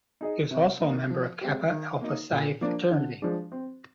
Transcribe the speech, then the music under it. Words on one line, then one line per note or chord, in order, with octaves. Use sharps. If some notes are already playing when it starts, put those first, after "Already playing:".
He is also a member of Kappa Alpha Psi fraternity.
D#4 G#4 D#5
C3
D#3 A#3 D#4
F3
G#3 C4 G4
D#3
A#3 D#4
A#2
F3 A#3 D4
D3
F3 G#3 D4
C4